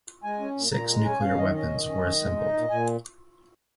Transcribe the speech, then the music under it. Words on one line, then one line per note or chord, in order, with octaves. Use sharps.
Six nuclear weapons were assembled.
G#3 G#5
C#4
A#2
A#2 A#5
G#3 A#5
C#4 G#5
C#4 F5
D#3 D#5
C#4 D#5
D#3
C#4
D#3
G#3
D#4
A#2
A#2 G#5